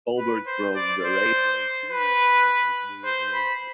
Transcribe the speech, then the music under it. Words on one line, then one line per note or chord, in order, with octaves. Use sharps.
"Albert" from The Railway Series has this wheel arrangement.
B4
C5
D5
C5
B4
C5
B5